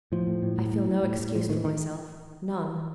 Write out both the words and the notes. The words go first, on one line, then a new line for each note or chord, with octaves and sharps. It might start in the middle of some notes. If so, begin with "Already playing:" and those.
I feel no excuse for myself, none.
A2 F3
A2
A2
A2
A2
A2
A2
A2
A2 F3
A2 D#3
D#3